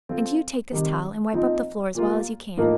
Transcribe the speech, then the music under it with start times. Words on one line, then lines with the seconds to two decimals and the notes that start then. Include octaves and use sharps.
And you take this towel and wipe up the floor as well as you can.
0.09 F3 C4 F4 A4
0.71 C3 D#3 G3
1.33 A#2 F3 C4 D#4
1.95 A#2 G3 A#3 F4
2.57 A2 F3 A#3 D#4 A#4